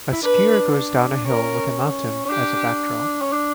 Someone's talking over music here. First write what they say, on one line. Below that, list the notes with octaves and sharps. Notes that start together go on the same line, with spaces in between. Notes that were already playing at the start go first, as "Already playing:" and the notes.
A skier goes down a hill with a mountain as a backdrop.
E4
D4 B4
C#4 A#4
C#4
D4 G4
C#4
D4